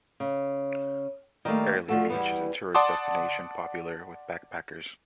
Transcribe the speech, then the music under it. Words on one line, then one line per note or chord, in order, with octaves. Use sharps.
Airlie Beach is a tourist destination, popular with backpackers.
C#3
D#3 G3 A3 A#3
D3 F3 A3 F#4 A4
E2 G3 B3
D5 F#5 A5 C6 D6 D#6